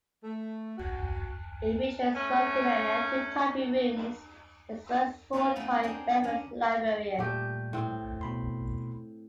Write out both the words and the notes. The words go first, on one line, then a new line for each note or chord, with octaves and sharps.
It featured a smoking area, two typing rooms, and its first full-time reference librarian.
A3
F#4
A3 C#4
B3 C4 D#4 F4 F#4 B4
A3 C#4 D#4 E4
C4 D4 D#4 G#4 A#4 C5
D3 C#4 D4
A#2 G3 A3 G4
A2 C4
B2 B5 C6